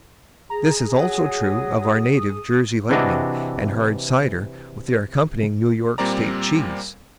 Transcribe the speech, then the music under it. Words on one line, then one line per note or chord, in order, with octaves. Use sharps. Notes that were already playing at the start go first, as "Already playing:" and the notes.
This is also true of our native Jersey Lightning and hard cider with their accompanying New York State cheese.
G#4 A#5
F#3 D#6
C3 E3 D4 F#4 D#5
A#2 G3 C4 A#4 D5 A#5